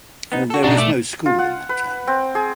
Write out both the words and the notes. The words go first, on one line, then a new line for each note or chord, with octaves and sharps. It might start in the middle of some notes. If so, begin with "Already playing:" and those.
There was no school in that town.
B3 D#4
F#4 A4
A#1 B2 D4 D#4 F#4
A3 D5
F4
F#5
B4
C4
G#4